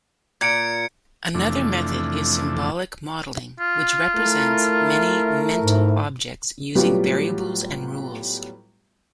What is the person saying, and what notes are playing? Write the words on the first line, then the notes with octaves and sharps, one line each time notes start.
Another method is symbolic modeling, which represents many mental objects using variables and rules.
A#2 G#6 C#7 D7
F2 C3 E3 A3 D4
F4
A3 E4 A#4
G#2
A2 F#3 G3 B3 F4 G4